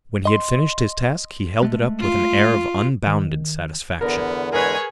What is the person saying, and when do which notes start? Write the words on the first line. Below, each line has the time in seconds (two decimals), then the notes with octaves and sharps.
When he had finished his task he held it up with an air of unbounded satisfaction.
0.25 D#5 C6
1.63 G#3 A3
2.00 F4
3.07 D#3
4.01 E2 D3 B3 A#4
4.52 G#3 G#4 A#4 B4 C#5